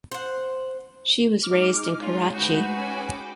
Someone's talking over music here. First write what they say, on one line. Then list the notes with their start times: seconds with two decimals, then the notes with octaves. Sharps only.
She was raised in Karachi.
0.11 C5 F#5
1.44 G#3 D#4 D6 F6
2.00 C#4 F4 C#5
2.35 D2 F#4 G#4 B4 G6
2.77 C#4 G5 G#5 D6